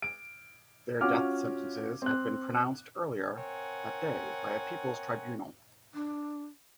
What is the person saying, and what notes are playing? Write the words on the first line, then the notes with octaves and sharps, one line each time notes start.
Their death sentences had been pronounced earlier that day by a People's Tribunal.
D7
C#4 F4 F#4 D6 F6
C4 F#6
C4 A#4 C#5 F#5 G#5
D4